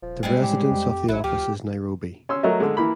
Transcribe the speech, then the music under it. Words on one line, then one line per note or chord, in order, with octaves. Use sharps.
The residence of the office is Nairobi.
D#1 F3
G3 G#3 C4
A2 G4
F2
A1 F#3 E4
D2 F3 G4
C#4 C6 E6
F#3 A3 A#4 D#5 E5
D3 G#3
E3 A#3 B5